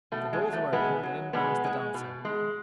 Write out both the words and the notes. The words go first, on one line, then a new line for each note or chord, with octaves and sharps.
The doors are opened and in bounds the dancer.
B2 A3
G#3
F#3
A3
B2 G#3 B3
F#3
B2 G#3 B3
G#3
B2
G#3